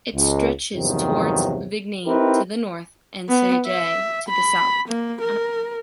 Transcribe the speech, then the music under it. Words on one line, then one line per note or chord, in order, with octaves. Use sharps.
It stretches toward Vigny to the north and Sagy to the south.
C#2
E2 G2 C3 D#3 F3 F#3
C4 D#4 E4 G4 A#4 B4
B3
E5
B5
A#3
A#4